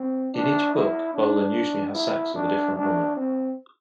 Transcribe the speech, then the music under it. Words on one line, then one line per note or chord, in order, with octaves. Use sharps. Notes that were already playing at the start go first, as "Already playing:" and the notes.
In each book, Bolan usually has sex with a different woman.
Already playing: C4
D4
E4
D4
E4
D4
D4
C4